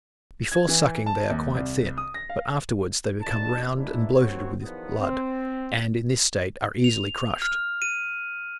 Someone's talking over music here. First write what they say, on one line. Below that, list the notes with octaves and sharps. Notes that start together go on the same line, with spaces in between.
Before sucking they are quite thin, but afterwards they become round and bloated with blood, and in this state are easily crushed.
G#6
E3
A5
D#2
C2
D#6
A#6
F5
D#2 A2 D#3 F3 D4 A5
E2 G#2 D4 E4
D#2 F#3 C4 C#4 F#4 C#5
E2 D#3 F3 F#3 B3
C4
F7
F6
D#7